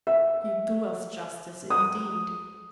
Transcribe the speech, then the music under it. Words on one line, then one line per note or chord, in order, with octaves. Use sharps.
You do us justice, indeed.
E5
D#6